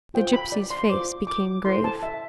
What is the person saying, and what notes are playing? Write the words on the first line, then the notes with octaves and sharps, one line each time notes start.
The gipsy's face became grave....
F4 C5 G5
B5
D5
C6
F4 C5 D6
D6
E4 A4 C5 C6
A5
E5